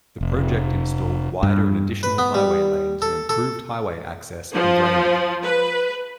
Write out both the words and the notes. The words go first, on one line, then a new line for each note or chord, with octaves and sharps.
The project installed wider and additional highway lanes, and improved highway access and drainage.
F1
G2
B4
B3
G3
A4
A4
F3
B4